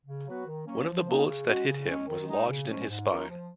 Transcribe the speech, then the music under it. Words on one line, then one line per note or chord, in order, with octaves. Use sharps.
One of the bullets that hit him was lodged in his spine.
C#3
F#3 B3 F#4 B4
D#3
F#3 A#3 C#4
F3
A#3 D#4
C#3
G#3 C#4 F#4
C#3
G#3 C#4
D#3
G#3 D#4
C#3
F3 G#3 C#4
G#2
F#3 C#4 F4 A#4
F3